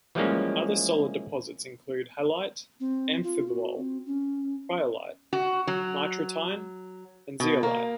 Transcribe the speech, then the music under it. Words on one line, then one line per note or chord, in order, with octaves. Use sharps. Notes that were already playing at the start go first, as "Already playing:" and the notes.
Other solid deposits include halite, amphibole, cryolite, nitratine, and zeolite.
E3 F3 G3 G#3 A#3 C#4
C4
F4
F#4
C4
C#4
F#4
F#3
B2
A#3